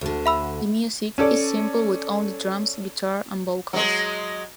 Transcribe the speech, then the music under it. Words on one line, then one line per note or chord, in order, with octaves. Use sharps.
The music is simple with only drums, guitar and vocals.
D2 D3
E5 B5 E6
C#4 A4 D5
F#3 G#3